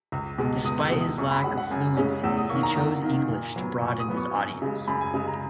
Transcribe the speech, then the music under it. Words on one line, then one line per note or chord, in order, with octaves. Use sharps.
Despite his lack of fluency, he chose English to broaden his audience.
C#2
B2 G#3
C#2 D#6
E6
B2 G#3
D#6
F#2 C#6
B5
C#3 G#3 C#4 F#5
F#5
F#2 G#5
C#3 G#3 C#4
E2 E6
D#6
D#3 A#3 C#6
A#5
E2
D#3 A#3
A#2
F#3 B3
A#2 C#6
D#6
F#3 B3
C#6
F#2
C#3 G#3
F#2 B5
G#5
C#3 G#3 G#5
A#5